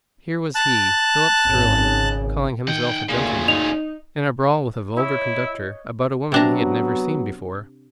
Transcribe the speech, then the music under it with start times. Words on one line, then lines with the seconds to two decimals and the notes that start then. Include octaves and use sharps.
Here was he, Philip Sterling, calling himself a gentleman, in a brawl with a vulgar conductor, about a woman he had never seen before.
0.55 A5 F#6
1.47 G#1 C#3
2.68 D#3 F#5 G5
3.09 D2 A#2 A#3 C#4 G#4
3.48 D#4 F7
4.97 E4 C#5 D#5
6.32 C3 F#3 B3 D4 A#5